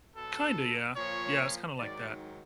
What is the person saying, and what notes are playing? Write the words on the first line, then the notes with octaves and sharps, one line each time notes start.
Kinda, yeah. Yeah, it's kinda like that,
B2 F#3 A4
A#2 F3 C#5
G#2 D#3 F#3 D5